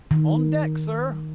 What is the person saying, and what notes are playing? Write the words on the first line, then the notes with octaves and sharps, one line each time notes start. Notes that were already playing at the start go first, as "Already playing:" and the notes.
"On deck, sir."
D#3